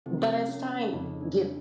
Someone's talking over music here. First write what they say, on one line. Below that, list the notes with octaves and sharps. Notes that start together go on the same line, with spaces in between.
but as time gets
C3 F3 A3 C4
C#4
F2 C#3 F3 D#4
D4